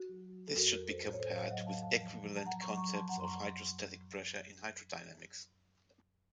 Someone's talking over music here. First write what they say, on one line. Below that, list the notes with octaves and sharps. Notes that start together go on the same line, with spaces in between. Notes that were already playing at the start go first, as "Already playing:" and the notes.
This should be compared with the equivalent concept of hydrostatic pressure in hydrodynamics.
Already playing: F#4
F#3
F#3
A4
F2 F#4 A#4
F#4 A#4
F2
A4 C5
A2 A4 C5
C#5
A4 C5
A2
C#5 F5
F#3 D#5 F#5
F5 A5
F2
F5 A5
F3
F3
A5
F#3 F#5 A#5
A#5 C#6
F#3
A#5 C#6
F3 A5 C6
F#5 A#5
F#2 C6
A#5 C#6